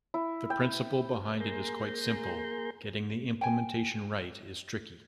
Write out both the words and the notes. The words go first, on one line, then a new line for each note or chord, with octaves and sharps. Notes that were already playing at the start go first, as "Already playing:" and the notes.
The principle behind it is quite simple; getting the implementation right is tricky.
E4
G5
A#3 G#4 A#5 C6 G6
G5 G#5